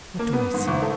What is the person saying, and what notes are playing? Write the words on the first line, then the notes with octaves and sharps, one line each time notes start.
"What do I see?"
A#3
B3
G#2
F#1
A3